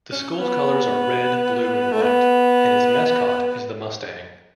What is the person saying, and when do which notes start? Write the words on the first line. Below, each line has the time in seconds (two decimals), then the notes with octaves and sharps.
The school's colors are red, blue and white and its mascot is the Mustang.
0.12 C#4
0.39 B3
1.92 A3
2.02 B3